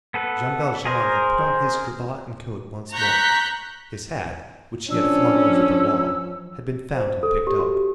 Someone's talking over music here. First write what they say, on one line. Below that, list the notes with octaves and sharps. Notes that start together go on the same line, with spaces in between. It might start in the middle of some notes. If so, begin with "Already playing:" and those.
Jean Valjean had put on his cravat and coat once more; his hat, which he had flung over the wall, had been found and picked up.
B3 A4 B4
G#4 A#4 C5
A#5 C#6 F#6 G6 B6
F3 C#4 D4 E6
C5
A4
G4
F#4
G4